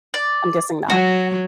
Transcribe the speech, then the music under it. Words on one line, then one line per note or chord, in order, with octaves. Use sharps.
I'm guessing not.
D5
F#3 F#4